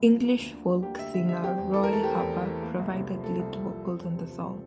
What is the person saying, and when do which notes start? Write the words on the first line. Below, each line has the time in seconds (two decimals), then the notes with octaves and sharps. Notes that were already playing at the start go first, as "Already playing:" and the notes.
English folk singer Roy Harper provided lead vocals on the song.
Already playing: C2
0.09 F3
0.24 A#3
0.39 D2
0.53 D3
0.68 G3
0.83 A#3 G4
0.98 D2 E5
1.14 D3 E5
1.28 G3 E5
1.44 C4 G4
1.58 E2
1.74 E3 A4
1.83 A#4
1.89 A3 A4
2.03 C4 G4
2.19 E2
2.34 E3
2.48 A3
2.63 A#3
2.79 C2
2.94 C3
3.09 F3
3.23 A#3 A4
3.39 C2
3.54 C3
3.69 F3
3.84 C4
3.99 E2
4.14 C3
4.29 F3
4.44 C4